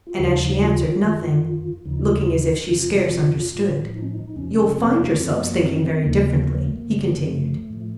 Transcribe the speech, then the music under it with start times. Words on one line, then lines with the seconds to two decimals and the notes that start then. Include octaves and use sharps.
And as she answered nothing, looking as if she scarce understood, "You'll find yourselves thinking very differently," he continued.
0.07 F4
0.18 D#2 C#3 F3 D#4
0.61 F4
1.02 F#2 D#3
1.85 D#2 C#3 F3 D#4
1.99 F4
2.13 D#4
2.69 F2 C3 F3 F4
3.52 A2 F3
3.94 D#4
4.02 C#4
4.10 D#4
4.36 F2 C3 F3 C#4
4.78 C4
4.92 A#3
5.06 A3
5.19 F#2 F3 C4
5.27 A#3
5.34 A3
5.41 A#3
5.61 C4
5.72 C#4
5.82 C4
5.93 C4
6.02 D#2 C#3 F3 A#3
6.24 A#3
6.45 A#3
6.55 A#3
6.66 A3
6.76 A#3
6.86 F#2 C#3 F3
7.29 A3
7.70 A2 F3